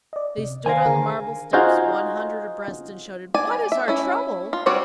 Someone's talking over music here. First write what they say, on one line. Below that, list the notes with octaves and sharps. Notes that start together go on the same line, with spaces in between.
They stood on the marble steps one hundred abreast and shouted, 'What is our trouble?
D5 D#5
C3
D#3 C5 F5 G#5 A#6
D3 G#4 A#4
D#4 F4 F#4 G#4 C5 D#5
D5 G#5
E5
C#4 E4
F4
G3 C4 F#4 C#5 D5